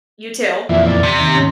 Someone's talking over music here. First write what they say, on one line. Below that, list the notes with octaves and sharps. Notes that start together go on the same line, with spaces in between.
You too.
F2 A#2 E3 D5 E5
E2 D5 A6
C3
D#2
G#2 C#4 C6